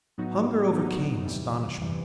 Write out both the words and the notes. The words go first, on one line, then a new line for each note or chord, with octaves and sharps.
Hunger overcame astonishment.
A2 F#3 B3 D#4 F#4
A2 F#3 B3 D#4 F#4
E2 C3 E3 G3
E2 C3 E3 G3